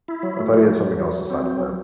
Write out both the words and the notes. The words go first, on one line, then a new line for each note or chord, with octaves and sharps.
I thought he had something else aside from that.
E4
F#3
A3
F#3
F#3
F#3
F#3
F#3
C4
F#3